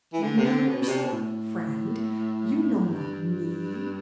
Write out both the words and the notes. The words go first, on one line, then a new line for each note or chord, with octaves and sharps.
You know yourself, friend; you know not me.
E3
D3
C3
D3
B2
B2
C3
B2
A2
G2